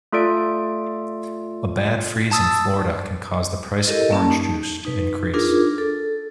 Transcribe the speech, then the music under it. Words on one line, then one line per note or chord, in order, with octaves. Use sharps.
A bad freeze in Florida can cause the price of orange juice to increase.
A3 F4 A4 D5 D7
A5 D#6 E6 A6
E4 G4 A4 A#4 D#5
A#3 C#4 A5
D#4
D#4 B4
D4 D#4 F4 G#4 A#4
A4